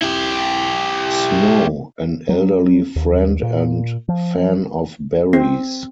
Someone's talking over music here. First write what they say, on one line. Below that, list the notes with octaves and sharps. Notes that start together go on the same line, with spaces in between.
Snow, an elderly friend and fan of Barrie's.
E4 G4
F#3
D#2
A#2
F3
C4